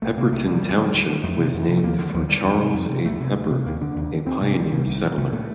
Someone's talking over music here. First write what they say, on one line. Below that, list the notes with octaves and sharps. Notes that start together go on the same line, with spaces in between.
Pepperton Township was named for Charles A. Pepper, a pioneer settler.
C2 A3
C3 A#3
C2 A3
C3 G3
D2
D3
D2
D3
F2 A3
C3
F2
C3
A3
D#2 A#3
D3 D#3
G3
D#2 F3
D3 G3
F2
C3
F2
C3
D2 A3
C3
D2
C3
D#2 A#3
D3 D4
D#2
D3
D2 C4
C3 A3
A3
D2 G3
C3
C2
A#2
C2 A3
A#2 A3